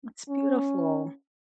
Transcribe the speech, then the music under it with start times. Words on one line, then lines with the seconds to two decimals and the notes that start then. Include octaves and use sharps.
That's beautiful.
0.29 C#4